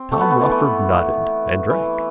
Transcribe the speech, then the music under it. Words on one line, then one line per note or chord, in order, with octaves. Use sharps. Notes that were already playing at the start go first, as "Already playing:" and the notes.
Tom Rochford nodded and drank.
Already playing: C4
A3
B3
B3
E3
E3
E3